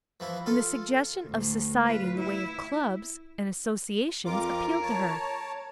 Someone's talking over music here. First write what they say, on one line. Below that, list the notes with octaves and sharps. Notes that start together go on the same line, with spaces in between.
And the suggestion of society in the way of clubs and associations appealed to her.
E3 F3 E4
F4 A4
D2 A2
F4 B4
E4
F2 F4 A#4 D6
C#5 A5